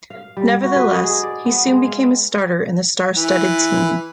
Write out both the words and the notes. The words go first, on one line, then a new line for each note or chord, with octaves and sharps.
Nevertheless, he soon became a starter in the star-studded team.
F5
G3
F#4
B4
D#5
G#4
D5
B3
G#3
F5
E3